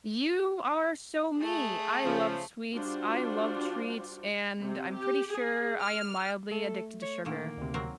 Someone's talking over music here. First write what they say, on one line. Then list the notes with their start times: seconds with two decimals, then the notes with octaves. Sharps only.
You are so me. I love sweets, I love treats, and I'm pretty sure I am mildly addicted to sugar.
1.38 A3 G#4
2.05 C#3 F3
2.74 G3 D4 F4 F#4 C5
4.61 C3
4.95 G4
5.32 G#4
5.81 F6
6.51 A3 A4
7.02 C#5
7.25 A#2 D3 D#3 A#3
7.58 D2 C3
7.74 F#3 C4 A#4